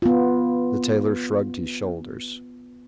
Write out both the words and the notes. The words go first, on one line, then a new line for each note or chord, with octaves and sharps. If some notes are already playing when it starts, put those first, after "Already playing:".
The tailor shrugged his shoulders.
B3 F4